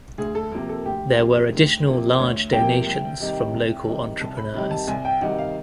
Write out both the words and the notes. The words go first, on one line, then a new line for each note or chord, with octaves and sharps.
There were additional large donations from local entrepreneurs.
D2 G#4
A4
C3 F3 A#3 A#4
A4
D2 G4
C3 F3 A#3
D2
C3 F3 A#3
D2 C#5
C3 F3 A#3 G5
C2
C3 D#3 G3
C2
C3 D#3 G3
C2 A5
B5
C3 D#3 G3 B5
A5
C2 G#5
G5
C3 D#3 G3 F#5
F5